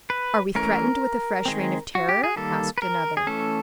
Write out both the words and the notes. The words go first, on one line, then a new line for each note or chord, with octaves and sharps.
"Are we threatened with a fresh Reign of Terror?" asked another.
B4
E3 A3 C#4 A#4
D#3 G#3 C4
F#4
G4
G#4
D#3 G3 A#3 A4
B4
A#4
G#4
E3 A3 C#4 A4